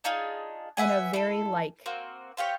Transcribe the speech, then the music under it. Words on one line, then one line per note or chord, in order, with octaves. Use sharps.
in a very, like,
D4 D#4 F4 G#4
B4 E5 F#5 G#5
E4 A4
A#3 C4 F#4
C4 F4 G4 C#5